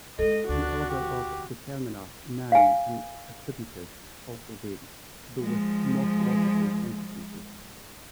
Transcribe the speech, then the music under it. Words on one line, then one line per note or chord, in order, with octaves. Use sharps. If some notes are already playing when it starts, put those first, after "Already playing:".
The order of determiner, noun, and attributive also varies, though with morphological consequences.
G#3 A3 A4 D#5
D2 D4 F#4
G4
F5 G#5
F3 G#3